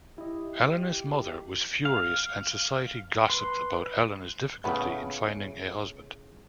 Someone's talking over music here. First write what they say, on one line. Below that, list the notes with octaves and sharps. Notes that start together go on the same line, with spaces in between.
Elena's mother was furious and society gossiped about Elena's difficulty in finding a husband.
E4 G4 D#5
F5
B4 C6
A2 C#3 B3 E4